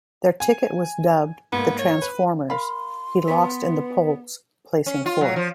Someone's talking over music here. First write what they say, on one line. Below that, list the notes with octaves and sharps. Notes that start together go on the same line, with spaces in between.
Their ticket was dubbed "the Transformers"; he lost in the polls, placing fourth.
G#5
G#2 A#3 B3
C#5
B4
A#4 F5 B5 C6
B3 B4
C#4
F4
F#3
F3